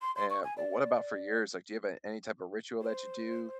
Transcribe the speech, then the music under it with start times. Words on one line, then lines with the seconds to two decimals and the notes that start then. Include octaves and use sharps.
Eh, what about for yours? Like, do you have a any type of ritual that you do?
0.01 C6
0.15 C6
0.30 C#6
0.43 G#5
0.57 D5
2.81 C5